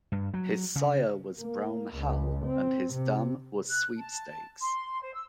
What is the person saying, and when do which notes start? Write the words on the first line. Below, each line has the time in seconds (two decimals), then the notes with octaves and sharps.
His sire was Brown Hal and his dam was Sweepstakes.
0.12 G2
0.34 F#3
0.76 C#3
1.40 A#3
1.95 C#2
2.45 C4
2.93 C3
3.67 F#6
3.98 A5
4.61 C6
5.01 C5
5.13 E6